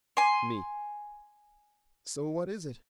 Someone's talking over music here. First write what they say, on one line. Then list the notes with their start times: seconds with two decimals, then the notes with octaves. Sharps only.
ME: So what is it?
0.17 G#5 C6